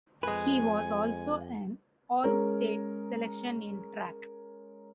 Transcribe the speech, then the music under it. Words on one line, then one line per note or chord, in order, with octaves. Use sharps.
He was also an All-State selection in track.
F2 G#3 B4 G#5
G#3 C#4 A#4